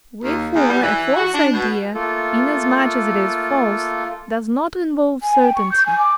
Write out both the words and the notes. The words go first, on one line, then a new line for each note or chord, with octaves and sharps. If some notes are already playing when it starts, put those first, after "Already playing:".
Wherefore, a false idea, inasmuch as it is false, does not involve certainty.
D#2
E2
G3
E3
F#4
D4
B2
A3 A#3 F4 A4
G#5
G5
C#6
G6
G#5
D6